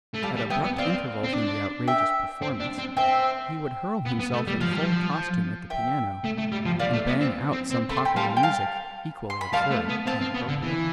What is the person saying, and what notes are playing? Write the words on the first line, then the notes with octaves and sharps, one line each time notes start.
At abrupt intervals in the outrageous performance he would hurl himself in full costume at the piano and bang out some popular music equally absurd and appropriate.
A3
G3 F5 A5
G3
B3 E5 G5
B3
C4 D5 F5
C4
D4
E5 G5
C4
D4
C4
C4 E5 G5
B3
B3
A3
G3
F3 F5 A5
G3
F3
E5 G5
A3
A3
G3
F3
G3 D5 F5
A3
B3
C4
C4
C4
A3 B5
C6
G5 B5
G3 F5 A5
G5
F5 A5
C6
B5
G3 F5 A5
A3
B3
C4 F5 A5
C4
B3
D3
E3